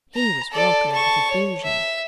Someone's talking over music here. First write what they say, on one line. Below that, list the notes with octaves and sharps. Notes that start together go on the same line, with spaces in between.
He was welcomed with effusion.
A#5
A4 D5
A5 C#6
C#5
E5